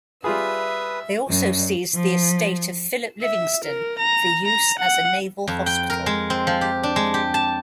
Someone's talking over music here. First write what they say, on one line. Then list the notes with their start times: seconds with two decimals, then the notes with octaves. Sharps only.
They also seized the estate of Philip Livingston for use as a naval hospital.
0.24 G3 F4 G#4 B4 E5 D#6
1.28 F#2
1.95 F3
3.22 E5
3.65 A#4
3.99 A#5
4.45 A#5
4.79 F#5
5.47 F2
5.66 G5
5.90 A#4
6.06 G#3
6.30 C4
6.47 F3
6.61 G4
6.83 D4
6.96 G#3
7.14 G4
7.34 A5